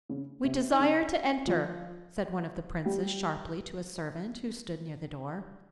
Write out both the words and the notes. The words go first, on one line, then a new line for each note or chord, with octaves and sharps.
'We desire to enter,' said one of the princes sharply to a servant who stood near the door.
C#3 C#4
C3 C4
D#4
C#3 C#4
F3 F4
G3 G4